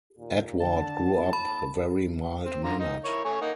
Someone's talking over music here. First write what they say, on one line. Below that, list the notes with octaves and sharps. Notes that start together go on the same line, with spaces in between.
Edward grew up very mild-mannered.
D#2 A#2
D3 A5
F3
D#2 B5
C4
D3 F4 A#5
D#4
E4 A#4 C#5
A3 C#5 G#5
A#3 D#4 F#5